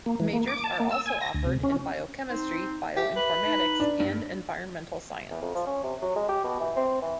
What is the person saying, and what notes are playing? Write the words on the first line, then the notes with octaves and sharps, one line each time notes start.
Majors are also offered in Biochemistry, Bioinformatics, and Environmental Science.
A#3
E3
A#3
D6
A5
A#3
E6
G#5
A#6
D2
C3
C#4
C4 D#4
G4 E5
B4
D#4
D4
G2
E2
F2
F3
C#4
C3
F#3
G#3
G4
B2
E3
C4
E3